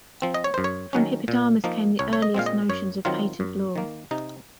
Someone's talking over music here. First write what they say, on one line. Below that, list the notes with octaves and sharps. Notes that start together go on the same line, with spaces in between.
From Hippodamus came the earliest notions of patent law.
F3 C4
D#5
C#5
F#2 C5
C#5
D#3 F#3 C#4
A#2
F3 A#3 D#4
C2 C#5
C#5
D#5
A#2 G#3 C4 F5
D#5
F#2 C#5
D#3 F#3 C4 F4
F#2
D#3 A#3
C3 D#4